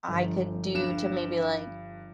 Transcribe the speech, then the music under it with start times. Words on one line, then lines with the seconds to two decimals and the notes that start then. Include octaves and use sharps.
I could do to maybe, like,
0.08 G1 F3
0.74 G2 C7 C#7 E7